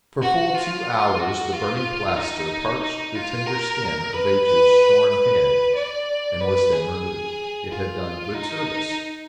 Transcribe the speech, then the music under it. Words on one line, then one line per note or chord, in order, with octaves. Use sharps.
For full two hours the burning plaster parched the tender skin of H--'s shorn head, and was then removed; it had done good service.
F#4
F4
F#4
F4
D#4
D#4
F4
A#4
B4
B4
B4
D5
B4
G#4
F4
D#4